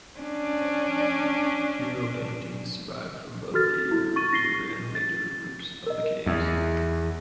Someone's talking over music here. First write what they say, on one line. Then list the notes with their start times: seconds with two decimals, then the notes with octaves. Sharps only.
Mural paintings survive from both the earlier and later groups of the caves.
0.19 C#4 D4
3.54 F#4 A4 F6 A6
3.91 E4
4.16 C#6 A6 D#7
4.33 A#6 C7 G7
4.95 A6
5.86 A#4 D#5
6.26 E2